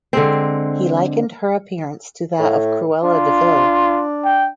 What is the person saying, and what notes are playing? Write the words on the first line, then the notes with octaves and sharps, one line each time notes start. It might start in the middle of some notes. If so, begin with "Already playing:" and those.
He likened her appearance to that of Cruella de Vil.
D3 G#3 C4
A2
D4 F4
G5